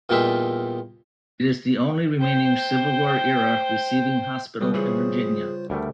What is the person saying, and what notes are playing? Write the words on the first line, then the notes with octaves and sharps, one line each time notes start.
It is the only remaining Civil War era receiving hospital in Virginia.
E2 A#2 G3 D#4 F4 E5
C5 G5
C#3 G3 G#3 A4 B4 D#6
E3 F4 G#4 C5 C#6
D2 G3 A3 A#4